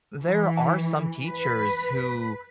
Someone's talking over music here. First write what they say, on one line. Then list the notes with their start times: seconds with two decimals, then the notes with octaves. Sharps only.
there are some teachers who
0.22 E3
1.27 B4